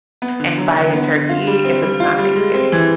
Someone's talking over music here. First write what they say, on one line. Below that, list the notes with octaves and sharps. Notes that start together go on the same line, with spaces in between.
and buy a turkey if it's not Thanksgiving.
B3
D3
F#3
D3
B3
D3
F4
G3
C4
G3
F4
G3
G#3
C4
E3